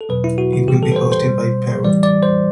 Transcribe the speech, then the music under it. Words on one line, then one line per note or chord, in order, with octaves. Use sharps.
It will be hosted by Peru.
A4
E2 B2 F#3 B4
E4
F#4
F#4
A2 E3 G3 G4
A4
B4
C5
C5
B2 G3
A2 E3 G3 D5
D5
C5